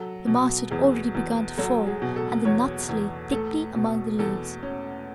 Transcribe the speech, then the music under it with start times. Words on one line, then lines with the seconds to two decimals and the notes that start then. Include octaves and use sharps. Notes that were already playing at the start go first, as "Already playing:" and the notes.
The mast had already begun to fall and the nuts lay thickly among the leaves.
Already playing: F#3 A4
0.27 B2
0.71 E2 G#4
1.15 E2
1.58 F#3 A4
1.86 G#4
2.02 B2
2.16 A4
2.45 E2 C#5
2.89 E2
3.32 A3 A4
3.75 B2
4.19 E2 A4
4.63 C#4